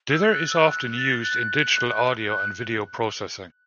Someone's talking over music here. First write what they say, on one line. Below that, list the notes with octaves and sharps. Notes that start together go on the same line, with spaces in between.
Dither is often used in digital audio and video processing.
E6
A6
F#6
E6
F#6
A6
A6
F#6
F#6